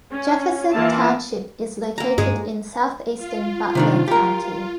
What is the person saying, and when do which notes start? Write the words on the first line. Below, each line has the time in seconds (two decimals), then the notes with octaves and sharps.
Jefferson Township is located in southeastern Butler County.
0.12 C#4
0.72 E3 A#3 E4 F4 A5
1.98 A#3 A#5
2.18 G2 G#3 G#4
3.17 F4
3.75 C3 D#3 D4
4.08 G4 A#4